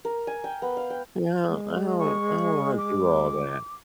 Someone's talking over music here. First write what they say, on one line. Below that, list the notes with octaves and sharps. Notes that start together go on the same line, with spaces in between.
You know, I don't I don't wanna do all that.
A#4
G#5
G5
B3
F5
G5
G#3
C#6
D6